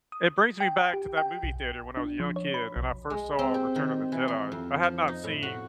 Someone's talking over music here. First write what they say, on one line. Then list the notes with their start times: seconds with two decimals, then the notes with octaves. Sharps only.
it brings me back to that movie theater when I was a young kid and I first saw Return of the Jedi. I had not seen
0.12 D#6
0.60 G5
0.94 G4
1.17 G5
1.43 B1
1.97 D4
2.20 F3
2.36 C#5
2.54 B5
2.76 B1
3.10 G#3
3.39 C4
3.54 G4
3.76 D#3
4.12 E3
4.28 C6
4.52 F2
4.83 F3
5.08 D#4
5.24 A2
5.43 F#4